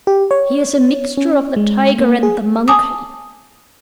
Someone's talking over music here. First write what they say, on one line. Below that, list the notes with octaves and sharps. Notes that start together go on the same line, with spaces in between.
He is a mixture of the tiger and the monkey.
G4
C#5
C#4
G#3
A#3
G#4
G#5 A5 D6 D#6